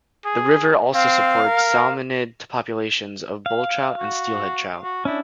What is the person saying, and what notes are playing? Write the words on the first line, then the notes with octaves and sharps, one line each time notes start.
The river also supports salmonid populations of bull trout and steelhead trout.
G#4
C4 F5
A#4
F5
F#4
F#4
C#4 D4 E4